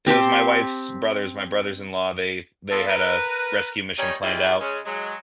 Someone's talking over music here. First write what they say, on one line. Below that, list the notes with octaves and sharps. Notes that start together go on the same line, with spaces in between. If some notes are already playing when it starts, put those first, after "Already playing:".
it was my wife's brothers my brothers-in-law, they they had, uh, rescue mission planned out
C4 G4 A5 C6
B3 F4 A4
A#4 B4
D#3 G3 C#4 D#4 C#5
E3 G3 G#3 C4 E4 F4
C#3 G#3 C#4
F#3 G#3